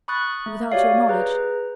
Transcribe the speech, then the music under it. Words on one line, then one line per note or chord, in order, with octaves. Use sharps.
"Without your knowledge?"
B5 C#6 D#6 F#6 A6
A3
F#4 G4 C#5 D5 F5
G#4 B4 A#5 G6